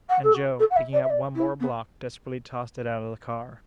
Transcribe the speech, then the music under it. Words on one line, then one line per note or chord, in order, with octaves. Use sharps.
And Joe, picking up one more block, desperately tossed it out of the car.
F#5
A4
F#4
A4
F#5
E5
D5
E5
D5
E4
B3